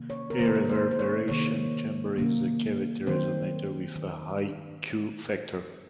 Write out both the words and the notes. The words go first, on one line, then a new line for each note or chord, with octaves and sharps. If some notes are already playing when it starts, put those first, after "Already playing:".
A reverberation chamber is a cavity resonator with a high Q factor.
Already playing: C3 D#3 A#3
C#5
A#4
C3 D#3 A#3 C5
C5
C5
C#5
C3 D#3 A#3 C#5
C3 D#3 A#3
D#3 F#3 C4 C5
D#3